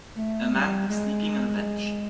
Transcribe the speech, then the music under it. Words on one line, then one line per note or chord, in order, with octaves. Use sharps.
A man sleeping on a bench.
A3
G3
G#3